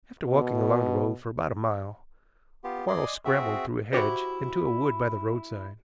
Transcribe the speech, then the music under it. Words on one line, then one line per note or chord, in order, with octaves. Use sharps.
After walking along the road for about a mile Quarles scrambled through a hedge into a wood by the roadside.
B2
B3 F4 G4
D5 D#5 G#5 C6 D#6
C4 F#4 G#4 E5
E4 F#4 G4 C5